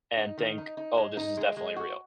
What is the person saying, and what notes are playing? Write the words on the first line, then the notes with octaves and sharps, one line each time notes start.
and think, "Oh, this is definitely real."
D#4
D#3
D#4
D#4
G#3
D#4
G#3
G#3
F#4